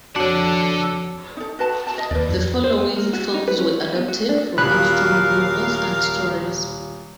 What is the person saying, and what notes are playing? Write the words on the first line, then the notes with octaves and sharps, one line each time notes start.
The following films were adapted from Armstrong's novels and stories.
F2 D4 F#4 A4 C#5 F#5 A5
D#4 A4
F#4 B4 A5
A5
D#5
D#2 B4 D5
F2
C5
B3
A#3
F#4
D#4
B4
C#4
G3
B3
F#4
D4
D#1 A#4 F5 B5 F#6